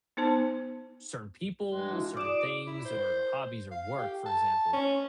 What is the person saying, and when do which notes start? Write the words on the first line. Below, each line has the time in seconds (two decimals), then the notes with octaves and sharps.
certain people, certain things, or hobbies or work, for example.
0.17 B3 D#4 C5 A5
1.71 G2 E3 G#3
1.93 E4 F#4
2.17 G#4 D5 D6 D#6 E7
2.67 E4
2.85 C5
3.71 F5
3.99 G4
4.26 A5
4.73 C#4